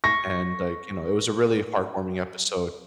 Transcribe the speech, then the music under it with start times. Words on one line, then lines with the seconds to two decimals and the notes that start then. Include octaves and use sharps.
and like, you know, it was a really heartwarming episode,
0.04 C#6 A#6